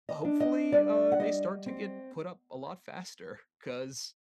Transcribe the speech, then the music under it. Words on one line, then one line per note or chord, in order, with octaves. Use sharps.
hopefully, uh, they start to get put up a lot faster 'cause
D#5
D4
D#5
G3 D5
F#5
G3 D#5
C4